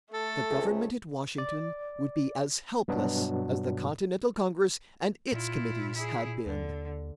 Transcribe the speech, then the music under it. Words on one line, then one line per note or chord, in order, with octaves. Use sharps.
The government at Washington would be as helpless as the Continental Congress and its committees had been.
A3 A4
C#2 C3 G#4
D5
G2 B2 F#3 B3 D4
A#2 E4 F4
E4 G#4
D#2 D3